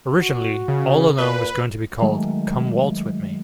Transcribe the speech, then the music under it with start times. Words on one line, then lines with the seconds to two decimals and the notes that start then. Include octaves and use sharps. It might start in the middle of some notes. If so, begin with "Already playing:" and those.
Originally, "All Alone" was going to be called "Come Waltz With Me".
0.21 F#4
0.68 C#3
1.18 A#2 B4
2.02 D#3 F#3 G#3 A3